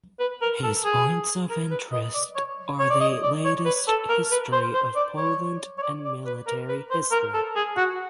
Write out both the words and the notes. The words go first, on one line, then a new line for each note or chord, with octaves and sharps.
His points of interest are the latest history of Poland and military history.
B4
A#4
A4
G#4
A#4
B4
D#5
D5
C#5
C#5
D5
D#5
D5
C#5
B4
A4
A#4
B4
C5
C5
D5
C#5
C#5
D5
D5
B4
A#4
B4
C5
A#4
A4
G#4
F#4